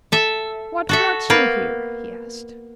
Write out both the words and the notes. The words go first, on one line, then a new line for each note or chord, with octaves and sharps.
"What brought you here?" he asked.
A4 E5
F#4 A4 E5
A#3 B3 B4